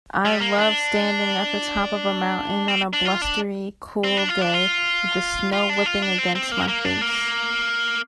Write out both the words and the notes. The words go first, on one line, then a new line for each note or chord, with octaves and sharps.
I love standing at the top of a mountain on a blustery, cool day with the snow whipping against my face.
G3
A#3
D4
C4
D4
F4
D4
C4
D4
F4
D4
F4
F4
D4
F4
D4
C4
C4
A#3
A#3
D4
A#3